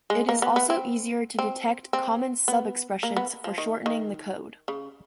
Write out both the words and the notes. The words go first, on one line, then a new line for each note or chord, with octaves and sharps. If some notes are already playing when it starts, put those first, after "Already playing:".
It is also easier to detect common sub-expressions for shortening the code.
G#3
A#3
B3
B3
C4
C4
C4
B3
A#3
B3
F3
D#3
D#3
C#3